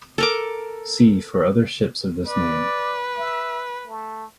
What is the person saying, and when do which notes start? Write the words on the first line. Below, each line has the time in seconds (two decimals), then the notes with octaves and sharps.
See for other ships of this name.
0.18 A4 A#4 D6
2.27 B4 D5
3.18 E5
3.87 A3